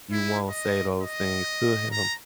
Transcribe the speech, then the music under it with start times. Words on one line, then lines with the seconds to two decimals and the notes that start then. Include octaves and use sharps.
you won't say those things to him,
0.12 E4
0.49 D#5
1.01 D#5
1.91 A#5